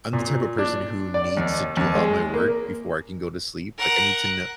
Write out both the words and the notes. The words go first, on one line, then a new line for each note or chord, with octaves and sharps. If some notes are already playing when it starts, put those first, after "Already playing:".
I'm the type of person who needs to do all my work before I can go to sleep, like, I need to kno
A#2
D4
D5
D#2
D#2
G#3
A#3
A#4 F#5